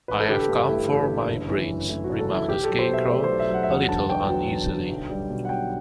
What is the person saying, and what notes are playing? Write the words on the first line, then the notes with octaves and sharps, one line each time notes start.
"I have come for my brains," remarked the Scarecrow, a little uneasily.
A1 B4
A4
D3 G4
A4
G2
A3 E4
A1
D3
F#1
E3
F#2
A3 E4
F#1 F#4
A4
E3
E4
B1 G4
F#3 A4
C5
B2 E5
A3 D5
C5
B1
E5
F#3
F#5
E5
E1 F#5
D3 A5
E2 G5
F#3
E1
D3
B1
G3
B2
F#5
B1 G5